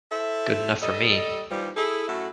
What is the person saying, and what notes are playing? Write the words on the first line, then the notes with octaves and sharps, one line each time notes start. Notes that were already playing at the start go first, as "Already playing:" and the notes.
Good enough for me.
E4 A4 C5 E5
G3 A4 D#5
D#2 E3 F3 G3
E4 G#4 A4
F#2 A2 A3 E4 F#4 A4